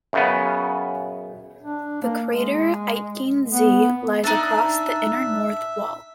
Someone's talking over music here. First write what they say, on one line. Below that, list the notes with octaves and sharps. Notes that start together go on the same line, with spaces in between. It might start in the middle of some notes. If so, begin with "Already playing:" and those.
The crater Aitken Z lies across the inner north wall.
F#2 C#3 B3
D4
A#3
G#3
B3
D4 D#4 E5